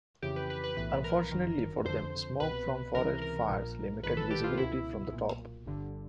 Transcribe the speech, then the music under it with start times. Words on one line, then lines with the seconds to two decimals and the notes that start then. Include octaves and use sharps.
Unfortunately for them, smoke from forest fires limited visibility from the top.
0.22 F2 C#3 E3 G4
0.36 B4
0.50 B4
0.64 B4
0.77 B1 A2 E3 B4
1.04 A#4
1.32 G1 F#2 D#3
1.86 F2 D3 C5
2.40 C2 B2 B4
2.94 C#2 C3 E3 A#4
3.22 A#4
3.49 A#1 A#2
4.03 A#1 G#2 D#3 B4
4.17 A4
4.31 G4
4.44 F4
4.58 C#2 B2 E4
5.12 B1 A#2
5.66 G1 G2 D3